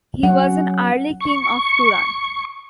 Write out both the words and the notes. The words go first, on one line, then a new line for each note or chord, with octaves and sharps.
He was an early king of Turan.
F#3 C#4 F#5
C#6